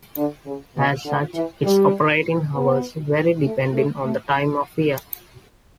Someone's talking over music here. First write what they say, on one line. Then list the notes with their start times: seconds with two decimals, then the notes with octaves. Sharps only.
As such, its operating hours vary depending on the time of year.
0.17 D3
0.46 C#3
0.76 B2
1.06 D3
1.35 E3
1.64 G3
2.55 B3
3.44 A3
3.74 A3
4.04 A3